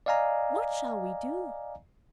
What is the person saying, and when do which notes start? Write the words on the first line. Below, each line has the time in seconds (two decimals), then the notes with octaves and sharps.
What shall we do?
0.06 D5 D#5 F5 G#5 A#5